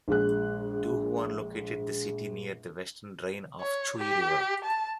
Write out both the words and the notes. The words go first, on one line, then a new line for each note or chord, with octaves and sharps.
Du Huan located the city near the western drain of the Chui River.
A#1 G#3 F#6
C#5
G4
A5